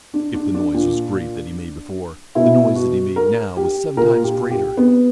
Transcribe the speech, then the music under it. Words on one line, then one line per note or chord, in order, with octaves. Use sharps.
If the noise was great that he made before, the noise that he made now was seven times greater.
D4
D4
D4
A#2
B2 E4
F#4
A#4
G4
A#2 A#4
G4
G4
B3